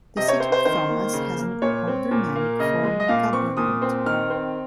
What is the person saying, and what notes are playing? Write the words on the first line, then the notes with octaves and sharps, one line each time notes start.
The city of Thomas has an aldermanic form of government.
C3 D#5
C#5
C4 C5
C5
D#3 C5
A#3
C#3
A#3
A#2 C#5
C4
A#2
A#3
C#3 D#5
G#3
D#5
A#2 F5
C4 C#6
A#2 D#6
C4
D#3 F6
C4